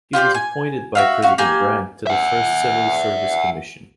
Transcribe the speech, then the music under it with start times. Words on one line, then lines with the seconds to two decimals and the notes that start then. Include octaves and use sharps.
He was appointed by President Grant to the first Civil Service Commission.
0.13 F4 G4 C5 D5
0.34 G#5
0.95 F#4 E5 F5
1.22 C#4 F#4 F5
1.38 A#3 G4 G#5
2.07 E5 F#5